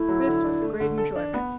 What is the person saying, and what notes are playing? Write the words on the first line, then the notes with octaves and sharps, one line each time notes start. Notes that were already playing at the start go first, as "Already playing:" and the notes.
This was a great enjoyment.
Already playing: A3 E4
F#3
D3
D4
A3
D3
A4
D4
B3